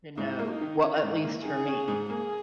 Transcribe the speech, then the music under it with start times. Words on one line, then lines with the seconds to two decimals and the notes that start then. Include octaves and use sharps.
to know well, at least for me.
0.17 G#2 E4
0.39 A#3
0.51 D#4
0.61 D#3
0.82 C#4 E4
1.03 G#2
1.24 A#3
1.45 D#3 G#4
1.68 C#4
1.88 G#2
2.10 A#3 G#4